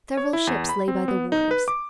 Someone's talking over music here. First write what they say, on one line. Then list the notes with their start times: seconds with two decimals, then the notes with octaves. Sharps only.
Several ships lay by the wharves.
0.17 C#5
0.33 E4
0.47 E2
0.69 B5
0.88 C4
1.08 B3
1.32 D#4
1.51 B4
1.68 D6